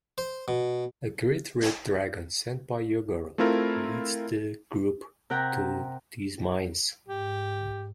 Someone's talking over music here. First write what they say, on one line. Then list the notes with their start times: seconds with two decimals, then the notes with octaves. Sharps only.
A great red dragon, sent by Ygorl, leads the group to these mines.
0.18 C5
0.48 B2
3.38 A3 C4 E4 F4 A#4
5.30 C3 A#4 F#5 G5 A#5
7.08 G#2 G4